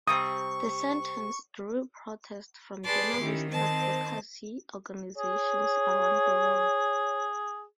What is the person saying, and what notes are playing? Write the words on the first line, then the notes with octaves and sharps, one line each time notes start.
The sentence drew protest from journalist advocacy organizations around the world.
C3 G3 C4 C#6 D#6
G#4 B4 D5 A5 C6 D6
D#3 C#4 E4 G4
D#3 C4 C5 D#5 A5
G#4 C#5